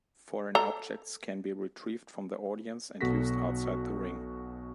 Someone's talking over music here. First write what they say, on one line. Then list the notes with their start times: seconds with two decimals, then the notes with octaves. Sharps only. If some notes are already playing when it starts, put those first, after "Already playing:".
Foreign objects can be retrieved from the audience and used outside the ring.
0.55 A4 A#5
3.01 B1 B2 F#4 A4 A#6 B6